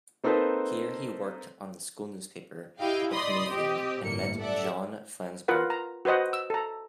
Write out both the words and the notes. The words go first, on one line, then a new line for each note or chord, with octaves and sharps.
Here, he worked on the school newspaper, the "Promethean", and met John Flansburgh.
A#3 C4 D#4 A4 B4 C5
E4 G4 D#5 F5 G5
D5 D#5 B5 C6 D#6
C4 G4 D#5
G1 A2 A#3 C#7
A4 D5 E5 F#5
F4 A#4 B4 F#5
A#5
F#4 B4 C5 D#5 F#5
E6
A4 A#5